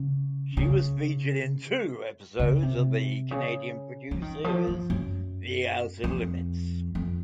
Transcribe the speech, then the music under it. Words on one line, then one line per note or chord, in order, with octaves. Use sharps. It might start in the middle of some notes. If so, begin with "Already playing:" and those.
She was featured in two episodes of the Canadian-produced series "The Outer Limits".
Already playing: C#3
C#3
C#3
C3
C#3
F3
D#3
F3
F3
F#2
F2
F2